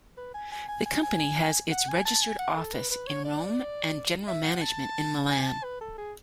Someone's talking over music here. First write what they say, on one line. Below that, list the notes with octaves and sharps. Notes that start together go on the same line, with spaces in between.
The company has its registered office in Rome and general management in Milan.
B4
G#5
G#5
G#5
G#5
G#5
F#5
G#5
A5
G#5
F#5
A4
B4
B4
C#5
D5
E5
F#5
A5
G#5
G#5
A5
B4
A4
G#4